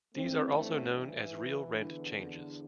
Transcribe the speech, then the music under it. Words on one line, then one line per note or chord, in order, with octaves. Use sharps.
These are also known as real rent changes.
G2 E3 A3 C4
A3 C4
E3
E2 D3